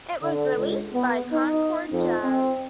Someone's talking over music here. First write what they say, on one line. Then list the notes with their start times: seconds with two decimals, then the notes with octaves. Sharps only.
It was released by Concord Jazz.
0.23 D3
0.57 C#2
0.93 B3
1.32 D#4
1.93 F2
2.24 C4